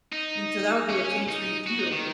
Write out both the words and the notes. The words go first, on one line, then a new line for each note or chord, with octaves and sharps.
And to that would be a change for you too.
D#4
C#4
D#4
F#4
D#4
D#3